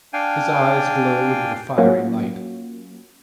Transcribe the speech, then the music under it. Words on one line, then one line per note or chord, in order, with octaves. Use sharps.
His eyes glowed with a fiery light.
D4 F5 G5 G#5
F#3 A#3 C#4 F4 F#4